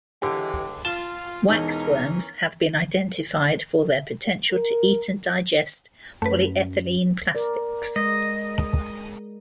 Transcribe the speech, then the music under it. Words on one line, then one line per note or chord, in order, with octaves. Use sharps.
Waxworms have been identified for their potential to eat and digest polyethylene plastics.
C#2 D3 E3 G#3 G4 G5
F4 A5 G7
E1 E3 C#4 D#4 A#4
A#4
F#2 A3 B4
A#4 D5
G#3 D#5